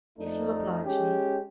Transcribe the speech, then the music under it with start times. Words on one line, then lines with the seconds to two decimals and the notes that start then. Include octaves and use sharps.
"If you oblige me."
0.17 F2 A3 D4 D#4
0.85 G#3 C#4 G4